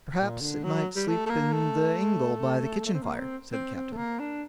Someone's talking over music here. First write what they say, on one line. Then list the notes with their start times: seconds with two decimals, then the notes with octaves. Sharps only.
'Perhaps it might sleep in the ingle by the kitchen fire', said the captain.
0.19 A#2
0.41 D3
0.63 F#3
0.96 G3
1.08 A3
1.26 A3
1.30 A#3
1.52 A3
2.86 A3
2.94 C4
3.03 A#3
3.19 C4
3.52 C4
3.75 C4
3.92 A3
3.97 A#3
4.19 D4